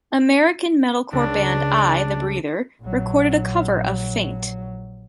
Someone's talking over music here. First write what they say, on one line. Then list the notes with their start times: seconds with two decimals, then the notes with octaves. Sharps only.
American metalcore band I, the Breather recorded a cover of "Faint".
1.13 C#2 D4
2.81 A#1 F#3